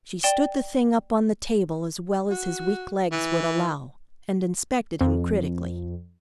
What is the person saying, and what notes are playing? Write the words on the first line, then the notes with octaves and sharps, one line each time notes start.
She stood the thing up on the table as well as his weak legs would allow, and inspected him critically.
D5 G5 E7 G7
F#4
E3
F2